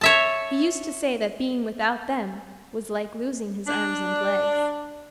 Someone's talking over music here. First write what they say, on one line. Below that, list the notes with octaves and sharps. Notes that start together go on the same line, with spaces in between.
He used to say that being without them was "like losing his arms and legs."
C#5 E5 A5
D4